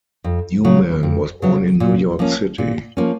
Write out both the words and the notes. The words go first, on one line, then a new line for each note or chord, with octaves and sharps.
Newman was born in New York City.
F2
C#3 F#3
F2
C#3 F#3
A#2
F3 A#3 C#4
A#2
F3 A#3 C#4